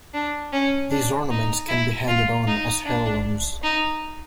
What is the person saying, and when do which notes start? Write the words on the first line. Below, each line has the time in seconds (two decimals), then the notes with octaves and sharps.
These ornaments can be handed on as heirlooms.
0.14 D4
0.53 C#4
0.91 D4
1.30 D#4
1.69 E4
2.08 F4
2.47 D#4
2.86 D4
3.63 D#4